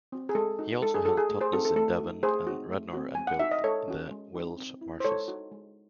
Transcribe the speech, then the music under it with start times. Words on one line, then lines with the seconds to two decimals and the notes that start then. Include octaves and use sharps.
He also held Totnes in Devon and Radnor and Builth in the Welsh Marches.
0.12 C4 F#4
0.29 G#4
0.35 G#3 A4
0.59 D#4 F#4
0.82 G#3 A4
0.94 G#4
1.05 D#4 F#4 A4
1.17 G#4
1.29 A3
1.40 G#4 C5
1.53 C4 D#4 F#4 A4
1.65 A4
1.76 A3 A4
2.00 D#4 F#4
2.23 A3 G#4 C5
2.47 C4 D#4 F#4
2.70 A3
2.94 C4 F#4
3.15 G#3 G#5
3.27 F#5
3.39 D#4 F#4 E5
3.51 D#5
3.64 G#3 A4 C#5
3.88 C#4 F#4
4.11 G#3
4.34 C4 D#4 F#4
4.58 C4
4.81 E4
5.00 C5
5.04 G#3 A4 C#5
5.28 D#4 F#4
5.52 G#3